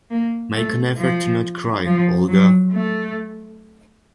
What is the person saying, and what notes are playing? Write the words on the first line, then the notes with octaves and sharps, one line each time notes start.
Make an effort to not cry, Olga!
A#3
A3
F3
F3
F#3
A3